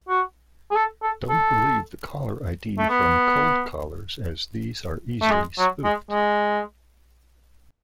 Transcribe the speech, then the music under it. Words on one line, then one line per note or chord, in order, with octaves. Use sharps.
Don't believe the caller id from cold callers as these are easily spoofed.
F#4
G#4
A4
A4
A4
A3
B3
A3
G#3
F#3
G#3
G#3